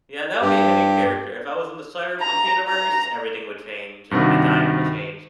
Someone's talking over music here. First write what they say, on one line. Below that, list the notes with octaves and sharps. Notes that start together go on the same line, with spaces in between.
Yeah, that would be any character. If I was in the Cyberpunk universe, everything would change it My diet will change.
G2 G4
A#5
A#5
G2 C3 D#3 F#4